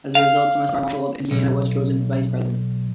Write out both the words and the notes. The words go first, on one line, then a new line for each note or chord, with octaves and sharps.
As a result, Thomas R. Marshall of Indiana was chosen for Vice-President.
F5
B1